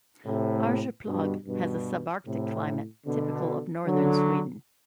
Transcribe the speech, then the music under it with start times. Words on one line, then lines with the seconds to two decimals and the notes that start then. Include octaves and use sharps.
Arjeplog has a subarctic climate typical of northern Sweden.
0.25 A2 C3
1.06 G2 B2
1.46 G2 B2
2.25 A2 C3
3.06 B2 D3
3.86 D3 F#3